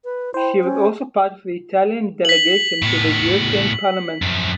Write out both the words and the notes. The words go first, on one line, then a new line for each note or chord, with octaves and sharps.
She was also part of the Italian delegation to the European Parliament.
B4
E4 C5 G5
C#4
B6 F#7
A2 B3
F#2 F3